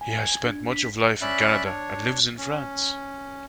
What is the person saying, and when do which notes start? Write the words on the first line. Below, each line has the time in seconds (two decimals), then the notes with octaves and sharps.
He has spent much of life in Canada and lives in France.
0.01 G#5
0.23 G#6
0.43 D4
0.72 B6
1.22 C#4 D5 E5 B5 F#6
1.65 D4 C#5
2.38 C#4